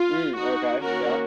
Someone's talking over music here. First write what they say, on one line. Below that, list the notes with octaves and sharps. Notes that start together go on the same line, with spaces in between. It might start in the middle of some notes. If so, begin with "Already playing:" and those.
Mm, okay. Yep.
Already playing: F4
D#4 F#4
D#3 A#3 C#4 F#4 A#4